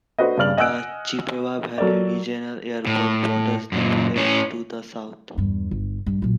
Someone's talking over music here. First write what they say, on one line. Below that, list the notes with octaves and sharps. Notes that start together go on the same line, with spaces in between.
The Chippewa Valley Regional Airport borders the village to the south.
D4 F#4 A4 B4 C5 D#5
G2 C#3 D5 F6 F#7
D#5 F#5 G#5 E6 F#6 D7
F#3 A4 A#4 D5
A2
F#2 A#2
A2 C#4
E2 G2
G1
G2
A#2 F#3